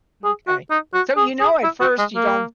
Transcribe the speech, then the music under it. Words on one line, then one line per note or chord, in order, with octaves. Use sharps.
M'kay. So, you know, at first, you don't
G#4
F#4
D#4
F#4
G#4
G#4
E4
F#4
G#3
A#3